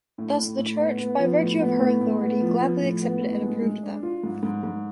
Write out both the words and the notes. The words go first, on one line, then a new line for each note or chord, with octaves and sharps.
Thus the Church, by virtue of her authority, gladly accepted and approved them.
A2
A2
A2
B3
B3
F3
A2
B3
A2
A2
B3
F3
F3
A2
B3
A2
G#3
G#3
D4
F4
G#2
G#2
G#2